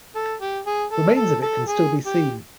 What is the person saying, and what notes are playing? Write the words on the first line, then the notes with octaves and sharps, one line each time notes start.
Remains of it can still be seen.
A4
G4
G#4
A4
A4
A4
G#4
G4